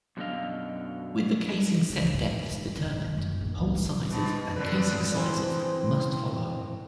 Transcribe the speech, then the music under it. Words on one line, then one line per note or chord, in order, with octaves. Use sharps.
With the casing set depths determined, hole sizes and casing sizes must follow.
F#2 B2 D3 C#4 D#5 F5
C#2
G#2
D#2
G2
G#2
D#3
F#2
A#1
C#2
E3
B2 F3
F2 D3 B4 D5
E3 C4 G#4 C5